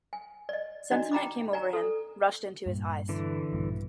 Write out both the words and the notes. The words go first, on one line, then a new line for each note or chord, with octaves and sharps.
Sentiment came over him, rushed into his eyes.
G#5
D5 D#5
D4 D#4 F#4 D5 D#5
G5 A#5 B5 D6
D5 G#5 A#5
A4
G2 A#2
D3 E3
A#1 G2 B2